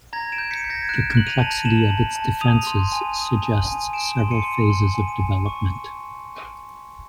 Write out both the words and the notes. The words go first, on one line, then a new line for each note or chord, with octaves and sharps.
The complexity of its defences suggests several phases of development.
A#5 G#6 A#6
D7 E7
G6
B6 C#7
G6
G#6 A#6
F#6 D7 E7
F#6 F#7
D#7 F7
A5
A5 E7 F#7
A5
A5
D#6 D#7 F7
C6
G#5
D#6
G#5
G#5
G#5 D7 E7
C6
C#7 D#7
C6
C6
G#5
G#5
C#6